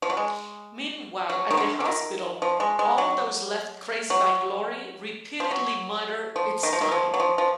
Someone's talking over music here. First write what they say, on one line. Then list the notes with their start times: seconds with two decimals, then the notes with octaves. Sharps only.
Meanwhile, at the hospital, all those left crazy by Glory repeatedly mutter, It's time.
0.02 F3
0.10 F#3
0.17 G#3
1.29 F#3
1.51 D#3
1.57 D3
1.80 D3
1.85 D#3
2.42 F3
2.60 G#3
2.79 G#3
2.98 F#3
4.10 F#3
5.40 F3
5.51 F#3
6.36 F3
6.63 D#3
6.73 F3
6.81 D#3
6.91 F3
7.14 F#3
7.20 F3
7.38 F3